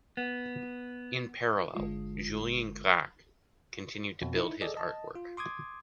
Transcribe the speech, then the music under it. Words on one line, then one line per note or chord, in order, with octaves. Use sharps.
In parallel, Julien Gracq continued to build his artwork.
B3
G1 D3 G#3 F4
F2 B2
D#4 E4
G#4 A4 D5 D#5
D#5 A5
F4
C6 D6 D#6 G#6